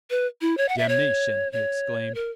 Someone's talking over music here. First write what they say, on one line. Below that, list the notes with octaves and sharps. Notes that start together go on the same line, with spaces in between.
"Damnation!" he exclaimed.
B4
E4
C#5
F#5
E5
C#5
C#5
A#4